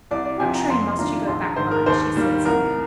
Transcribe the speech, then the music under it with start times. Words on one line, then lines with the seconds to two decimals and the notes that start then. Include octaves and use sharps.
"What train must you go back by?" she said suddenly.
0.11 C2 D5
0.25 D5
0.40 C3 F3 G#5
0.55 A#5
0.70 F2 C6
0.89 C6
0.98 D#3 A#3 D4 F4 A#5
1.27 A#1 C6
1.43 A#5
1.56 G#2 D#3 C5
1.71 A#4
1.86 D#2 C5
2.16 D#3 G3 A#3
2.45 C2 A#4